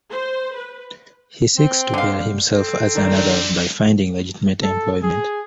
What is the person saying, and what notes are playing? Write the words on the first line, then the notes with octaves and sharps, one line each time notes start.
He seeks to better himself as an adult by finding legitimate employment.
C5
B4
C4
D3 F5
C4 A4
D#3 D4 D5
A4
G#4